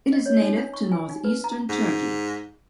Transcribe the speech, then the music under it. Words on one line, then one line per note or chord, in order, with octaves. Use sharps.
It is native to northeastern Turkey.
D#5
C#5
D#4
D4
C#6
G#5
D#4
B4
A#5
G#2